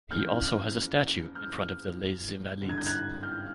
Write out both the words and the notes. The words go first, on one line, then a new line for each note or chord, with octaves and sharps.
He also has a statue in front of the Les Invalides.
F#1 E2 C#3 F3 F6 G6
F6 G6
G#1 G2 D3
G#6
G6
F#6 G#6
F6 G6